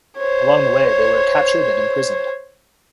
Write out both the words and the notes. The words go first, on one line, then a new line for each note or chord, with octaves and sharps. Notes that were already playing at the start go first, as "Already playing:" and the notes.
Along the way, they were captured and imprisoned.
C5 C#5